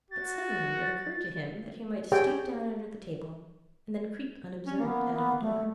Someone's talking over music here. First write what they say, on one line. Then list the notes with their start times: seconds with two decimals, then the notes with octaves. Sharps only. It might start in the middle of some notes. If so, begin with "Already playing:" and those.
But suddenly it occurred to him that he might stoop down under the table, and then creep unobserved out of the door.
0.11 F#4 A6
2.12 G4 G#4 C#5 G5
4.67 C#4
4.79 A#3 B3
5.12 B3
5.40 A3